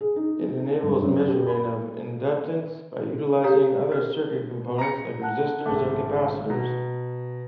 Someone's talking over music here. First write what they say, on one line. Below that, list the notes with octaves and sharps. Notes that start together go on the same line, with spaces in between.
It enables measurement of inductance by utilizing other circuit components like resistors and capacitors.
G#4
D#4
G2
F#2
G4
B5
G4 A4 C#5 F5 A#5
B4
A#5 C#7
F#5 A5 F#6
G#1 A3 G#4 A5 D6
B2 A#5